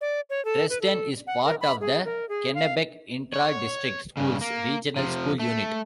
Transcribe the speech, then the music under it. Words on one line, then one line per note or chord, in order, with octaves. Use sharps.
Dresden is part of the Kennebec Intra-District Schools Regional School Unit.
D5
C#5
A4
B4
A4
F#5
A#4
B5
G#4
A#4
G#4
F5
C#5
G2 C#3
A#3
C3 F3
A3